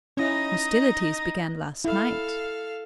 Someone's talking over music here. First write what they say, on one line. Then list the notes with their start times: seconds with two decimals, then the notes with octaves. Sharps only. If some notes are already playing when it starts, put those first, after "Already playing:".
"Hostilities began last night."
0.17 C#4 D#4 E4 D#5
1.84 E4 A4 F5